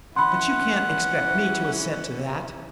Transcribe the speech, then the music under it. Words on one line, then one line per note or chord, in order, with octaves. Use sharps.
"But you can't expect me to assent to that?"
E3 C#4 E4 F#5 B5 C6